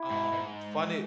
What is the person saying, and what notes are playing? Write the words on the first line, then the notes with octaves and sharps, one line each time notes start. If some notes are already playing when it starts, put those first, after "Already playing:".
um, funded
Already playing: E4
G#2
G#2